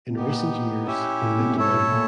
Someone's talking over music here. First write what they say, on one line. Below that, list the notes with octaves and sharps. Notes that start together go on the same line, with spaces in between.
In recent years he lived alone.
B2
A#2 B3 D#4 G4
C#4 E4 G4
A2
A#2
B2
C3
B2 E4 A4 C#5
A2
A#2